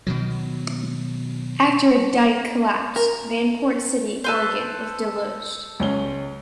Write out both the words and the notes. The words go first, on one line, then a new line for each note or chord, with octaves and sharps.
After a dike collapsed, Vanport City, Oregon was deluged.
B2 D#3 F#3
A#4
A4 B4 C5
C#2 C#4 G7